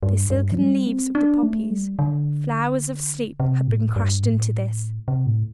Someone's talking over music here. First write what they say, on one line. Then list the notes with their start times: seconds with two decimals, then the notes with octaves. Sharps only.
The silken leaves of the poppies--flowers of sleep--had been crushed into this.
0.03 G2
0.30 G2
0.52 F3
0.59 G3
0.87 C4
1.15 D4
1.43 A3
1.70 G3
1.99 D3
3.40 C3
3.67 A2
3.96 G2
4.23 A2
5.08 C3
5.26 A2